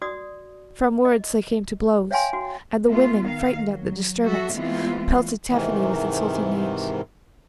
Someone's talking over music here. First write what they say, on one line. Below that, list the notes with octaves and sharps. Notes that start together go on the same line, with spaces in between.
From words they came to blows, and the women, frightened at the disturbance, pelted Tephany with insulting names.
F#4 D5 D#6
D#5
C#5 E5 F5 G5 G#5 C6
F#4
A3 B3 F4
D#3 F5
F#3
F#3 F#4 A4 E5
E3 G#3 A3 B3 C4 F4
G#2 C3 D#3 E3